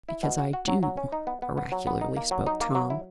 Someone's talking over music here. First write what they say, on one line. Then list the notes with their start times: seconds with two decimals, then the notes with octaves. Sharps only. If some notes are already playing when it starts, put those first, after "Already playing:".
"Because I do," oracularly spoke Tom.
0.09 E4
0.23 B2
0.38 F#4
0.53 F#4
0.68 F#3
0.83 F#3
0.97 C#4
1.12 D#4
1.27 B3
1.42 B3
1.57 B3
1.72 F#3
1.87 B3
2.01 D#4
2.16 A#3
2.31 F#3
2.46 D#4
2.61 A#3
2.75 F#3
2.90 E4